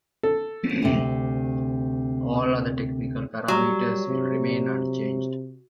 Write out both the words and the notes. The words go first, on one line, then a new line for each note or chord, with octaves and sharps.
All other technical parameters will remain unchanged.
A4
D2 C3
F#3 G3
C3